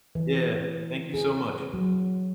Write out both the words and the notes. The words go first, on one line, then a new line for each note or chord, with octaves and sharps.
Yeah. Thank you so much.
E3
G#4
F#3